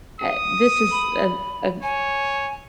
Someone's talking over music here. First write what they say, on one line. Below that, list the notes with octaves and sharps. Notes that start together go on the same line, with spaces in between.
uh, this is a a
D#6
B5
C#5 G#5